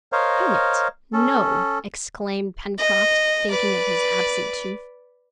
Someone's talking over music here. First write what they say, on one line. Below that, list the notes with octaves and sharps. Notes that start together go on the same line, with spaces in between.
"Hang it, no!" exclaimed Pencroft, thinking of his absent tooth.
A#4 C5 C#5 D#5 F5
C#4 A4
D#5
B4 D5